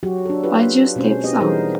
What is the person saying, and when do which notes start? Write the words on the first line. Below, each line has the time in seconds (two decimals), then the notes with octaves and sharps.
Banjo Steps Out.
0.03 F#3 F#4 G4
0.26 D4 A4
0.43 F4 G4 B4
0.96 B2 G#3 C4 C#4 C5
1.24 B3 G4 D#5
1.40 E3 G3 D#4 G#4 A#4 C5